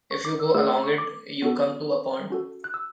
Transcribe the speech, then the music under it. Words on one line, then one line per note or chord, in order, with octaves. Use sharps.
If you go along it, you come to a pond.
C#6
D6
E6
A3 E4 G#4 E6
E6
C#6
D6
B3 F#4 A4
C#4 F#4 A4
F#6
E6